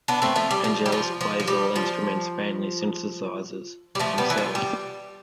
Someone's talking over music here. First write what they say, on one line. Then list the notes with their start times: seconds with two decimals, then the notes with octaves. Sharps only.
Vangelis plays all instruments, mainly synthesizers, himself.
0.08 B3 D4
0.22 A3 C4
0.36 F3 A3
0.51 G3
0.64 F3
0.86 G3
0.92 F3
1.21 F3
1.40 F3
1.47 G3
1.76 F3
3.95 G3
3.99 F3 A3
4.18 G3 B3
4.30 E3
4.38 F3
4.55 G3